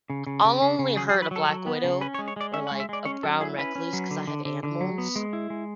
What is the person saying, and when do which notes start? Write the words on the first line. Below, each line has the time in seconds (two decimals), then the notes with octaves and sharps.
I'll only hurt a black widow or, like, a brown recluse 'cause I have animals,
0.10 C#3
0.27 C#3
0.44 C#3
0.62 C#3
0.79 C#3
0.96 F#3 G#4
1.09 G#4
1.14 F#3
1.22 B4
1.31 F#3 A4
1.49 F#3
1.66 B3
1.84 C#3
2.01 C#4 B4
2.14 C#5
2.19 G#3
2.28 C#5
2.36 G#3 D5
2.53 C#4 E5
2.67 F#5
2.71 G#3
2.80 E5
2.89 G#3 D5
3.05 C#4 C#5
3.23 F#3 A4
3.41 E4 G#4
3.58 C#4 B4
3.75 C#4
3.93 F#3
4.11 D3
4.27 D3
4.45 D3
4.63 D3
4.81 F#3
4.98 B3
5.16 G#3
5.33 E4
5.50 G#3